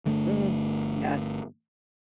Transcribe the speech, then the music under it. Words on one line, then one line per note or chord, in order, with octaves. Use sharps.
Mm. Yes.
G1 D3 A3